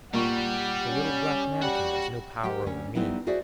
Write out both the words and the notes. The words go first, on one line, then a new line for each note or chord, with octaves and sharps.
The little black Mannikin has no power over me.'
A#2 G3 F#5 C#6
C#4
G3 F#4 F#5
G4 A#4 F#5 G5
D2 C#4
G3 B3 C4 D#4 E4
F#4 G#4 C5 D5 E5